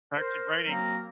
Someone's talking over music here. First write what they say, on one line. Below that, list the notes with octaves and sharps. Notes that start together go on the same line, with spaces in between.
actually raining
A#4 C5
F#3 A#3 C4 F#4 A#4